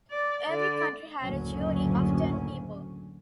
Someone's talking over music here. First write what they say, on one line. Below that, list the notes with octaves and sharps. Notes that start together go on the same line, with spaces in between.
Every country had a jury of ten people.
D5
D3 D5
F#1 D2 A2 D3 F#3 C#4